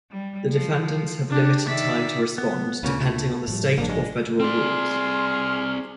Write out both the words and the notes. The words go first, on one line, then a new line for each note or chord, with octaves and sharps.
The defendants have limited time to respond, depending on the State or Federal rules.
G3
F3
D4 G4
D#3 D5 E5 B6
B3
D2 A#2 C#3 A#3 B3
A3
A2 F3 G3
A1 G2 F3 A#3 D4
G#3
C4 G#4 D5 C6 F6